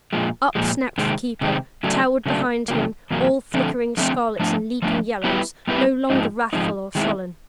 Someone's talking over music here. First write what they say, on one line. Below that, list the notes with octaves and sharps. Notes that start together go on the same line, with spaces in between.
Up snapped the Keeper; towered behind him, all flickering scarlets and leaping yellows--no longer wrathful or sullen.
A#2 F3 G#3
A#2 F3 G#3
C3 D#3 G#3 C4
C3 D#3 G#3 C4
C#3 F#3 A3 D4
C#3 F#3 A3 D4
E2 C3 D#3 F#3 A#3
E2 C3 F#3 A#3
D3 F3 A3 C4
D3 F3 A3 C4
F3 A3 D4
F3 A3 D4
G3 B3 E4 G4 B4
G3 B3 E4 G4 B4
G#2 F3 G#3 C4 D#4
G#2 F3 G#3 C4 D#4
D#3 G#3 C4 E4